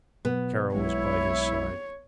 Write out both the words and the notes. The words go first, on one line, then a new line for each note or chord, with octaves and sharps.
Kara was by his side.
B2 F#3 B3
B1 F#3 G#3 E4 C#5